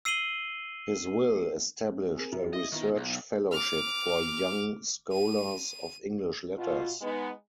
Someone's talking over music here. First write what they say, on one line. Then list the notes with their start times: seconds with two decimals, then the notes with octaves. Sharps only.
His will established a research fellowship for young scholars of English Letters.
0.05 E6 C7 D#7 F#7 G7
2.16 C4 G#4 A#4
2.32 F#2
2.53 E4 D#5
2.72 D#3 B3 E4 F4
2.96 B1
3.52 D6 F6
5.12 D#7
6.58 B2 F4
7.01 G#3 B3 D#4